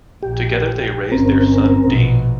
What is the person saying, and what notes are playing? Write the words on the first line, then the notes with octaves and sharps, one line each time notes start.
Together they raised their son Dean.
A#1 G4
G1 C4 C#4 A#4
A#1 B2